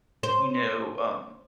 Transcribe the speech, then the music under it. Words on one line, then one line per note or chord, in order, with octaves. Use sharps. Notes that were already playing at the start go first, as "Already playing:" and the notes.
you know, um,
C5